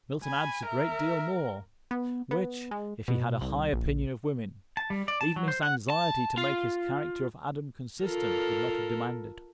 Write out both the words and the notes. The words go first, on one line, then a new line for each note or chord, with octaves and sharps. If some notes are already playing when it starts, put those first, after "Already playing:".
Milton adds a great deal more, which, if he had a high opinion of woman, even his anxiety to make his character of Adam consistent would not have demanded.
G#5 B5
A#4 E5
B3
B3
G#3
B2
C2
A#1
A5
G3
D5
A5
F#3
C5
F#5
A5
F4
F4 A4 A#4